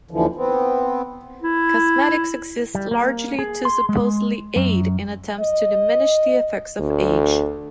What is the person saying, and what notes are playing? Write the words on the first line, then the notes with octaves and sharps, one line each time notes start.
Cosmetics exist largely to supposedly aid in attempts to diminish the effects of age.
D#2 D3 E3 F3
B3 C4
E4
G3
A#3
G#4
C6
G#3
F#2
D#5
D2